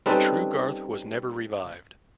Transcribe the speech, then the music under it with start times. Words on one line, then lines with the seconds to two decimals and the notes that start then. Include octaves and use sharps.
The true Garth was never revived.
0.06 G3 C4 C#4 D#4 A4 B4